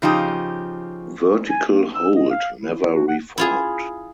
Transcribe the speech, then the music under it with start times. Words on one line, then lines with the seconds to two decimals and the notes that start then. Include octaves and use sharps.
Vertical Hold never reformed.
0.02 C#3 F3 D#4 G4
1.50 G#5
1.69 A#3
1.95 E6
2.16 D#5
2.31 F5
2.59 E4
2.82 E4
2.94 F#4
3.08 F#5
3.38 E4 F4 G#4